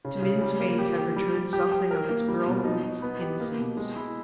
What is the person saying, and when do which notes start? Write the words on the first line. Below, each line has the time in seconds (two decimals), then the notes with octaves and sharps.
To Min's face had returned something of its girlhood's innocence.
0.05 C#3
0.22 C#3
0.42 G3
0.60 A#3
0.79 G4
0.98 G4
1.16 G3
1.35 G3
1.53 G4
1.72 G4
1.91 A#4
2.09 A#3
2.28 G3
2.47 B2
2.65 D#4
2.83 D#4
3.02 B3
3.21 G4
3.40 A#3
3.58 B2
3.77 G#3
3.96 E4